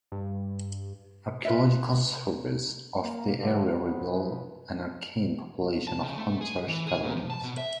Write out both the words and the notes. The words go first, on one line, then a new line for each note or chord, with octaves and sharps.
Archaeological surveys of the area reveal an archaic population of hunter-gatherers.
G2
F4 B4 D#5 E5
A#3
G2 D3
B1 F3 F#3 B3 B4 C5
A5
C#3
A3
G#4
E3
G#4
A#2
F3
A5
B2
E5